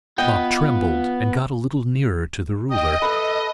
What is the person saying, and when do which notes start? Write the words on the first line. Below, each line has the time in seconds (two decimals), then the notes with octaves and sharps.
Bob trembled, and got a little nearer to the ruler.
0.18 B3 F4 D#5 G5
2.70 D#5 G5 D#6
3.02 A4 B4 E5 B5